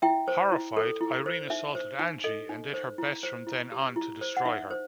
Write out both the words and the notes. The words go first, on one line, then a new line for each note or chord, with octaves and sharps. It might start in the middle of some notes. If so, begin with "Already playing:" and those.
Horrified, Irene assaulted Angie and did her best from then on to destroy her.
E4 E5 G5
C5
E4
A4
E4
C5
D#4 E5
C5
D#4
A4 D#5
D#4
C5
E4
C5
E4
G4
E4
C5
F#5
D#4 E5
C5